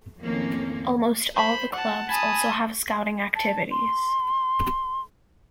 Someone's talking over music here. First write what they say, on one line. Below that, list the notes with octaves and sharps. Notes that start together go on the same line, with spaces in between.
Almost all the clubs also have scouting activities.
F2 A2 D#3 A#3 C4 C#4
C5 B5
F#5 A5
G#5 A5 B5 D#6
A5
C6